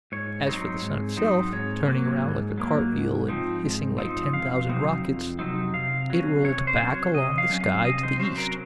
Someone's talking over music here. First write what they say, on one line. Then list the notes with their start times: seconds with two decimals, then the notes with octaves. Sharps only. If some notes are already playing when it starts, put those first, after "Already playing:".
As for the sun itself, turning round like a cartwheel and hissing like ten thousand rockets, it rolled back along the sky to the east.
0.12 G#2 C#5
0.47 F#3 C4 D#4
0.82 G#2
1.17 F#3 C4 D#4
1.53 G#2 C#5
1.87 F#3 A#3
2.23 G#2
2.58 F#3 A#3
2.92 G#2
3.28 F3 C4 D#4
3.63 G#2
3.98 F3 C4 D#4
4.33 F2 F5
4.69 C3 F#3 C4 D#4
5.04 F2
5.39 C3 F#3 C4 D#4
5.74 C3 F5
6.10 F#3 C#4
6.44 C3 C#5
6.67 C5
6.79 F#3 C#4
6.91 C#5
7.15 C3 D#5
7.38 F5
7.50 F#3 C#4
7.61 F5
7.85 C3 D#5
8.03 C5
8.20 F#3 C#4 C5
8.38 A#4